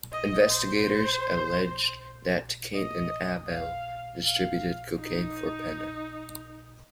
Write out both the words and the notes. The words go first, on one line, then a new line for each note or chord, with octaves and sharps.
Investigators alleged that Kane and Abel distributed cocaine for Pena.
D#5
C5
D#5
F5
F5
D#4